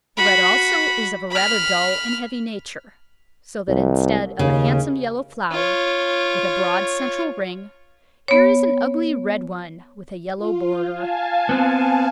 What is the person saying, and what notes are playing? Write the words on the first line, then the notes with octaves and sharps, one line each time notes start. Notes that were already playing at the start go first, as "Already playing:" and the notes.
The red also is of a rather dull and heavy nature, so that instead of a handsome yellow flower with a broad central ring, here is an ugly red one with a yellow border.
F#4 B5
B5 F6
C2
D#2 C#3
F4 C#5
B3 C#5
F4
F5 G#5 A5
B3 C4